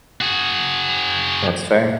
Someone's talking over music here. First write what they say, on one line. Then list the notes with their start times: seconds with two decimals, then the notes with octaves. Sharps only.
That's fair.
0.21 F#4 G#4